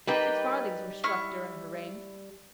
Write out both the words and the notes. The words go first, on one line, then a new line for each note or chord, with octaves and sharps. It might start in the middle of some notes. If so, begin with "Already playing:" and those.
Six farthings were struck during her reign.
G3 A#3 D#4 B4 G5
E4 C#6 F6